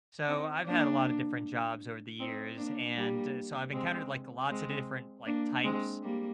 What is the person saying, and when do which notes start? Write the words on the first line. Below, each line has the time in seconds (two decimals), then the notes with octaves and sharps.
So, I've had a lotta different jobs over the years, and so, I've encountered, like, lots a different, like, types
0.28 C4 D#4
0.66 A#3 D4
2.20 C4 D#4
2.57 A#3 D4
2.96 G3 A#3
3.72 G#3 C4
4.49 G#3 C4
5.26 A#3 D4
5.64 G#3 C4
6.03 G3 A#3